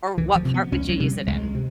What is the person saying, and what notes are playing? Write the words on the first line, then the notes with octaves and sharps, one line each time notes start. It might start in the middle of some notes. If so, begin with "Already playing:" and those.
Or what part would you use it in?
C#2 E3
F3
C3
B3
C#2 C#4
F#3
C3 G3
C#2 G#3
C3